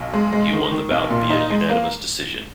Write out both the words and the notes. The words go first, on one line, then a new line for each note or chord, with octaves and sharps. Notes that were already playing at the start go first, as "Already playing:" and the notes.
He won the bout via unanimous decision.
Already playing: B1
G#3
G#3
D#3
D#3
B1
A#2
D#4
G#3
A#3